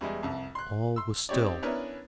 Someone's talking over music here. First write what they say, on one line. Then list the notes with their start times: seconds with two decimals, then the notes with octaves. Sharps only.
All was still.
0.01 E2 G3 G#3
0.23 C2 F2
0.55 C6 F#6
0.96 C6 E6
1.29 C4 D#4 G4 C#5 D5
1.63 B3 C#4 D4 E4 A#4 B4